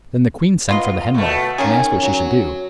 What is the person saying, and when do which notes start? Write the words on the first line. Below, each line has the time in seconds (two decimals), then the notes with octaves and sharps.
Then the queen sent for the Hen-Wife, and asked what she should do.
0.69 B3 F4 D#5
1.14 B2 A3
1.58 D#3 A#3 C#4 G#4
2.03 F#3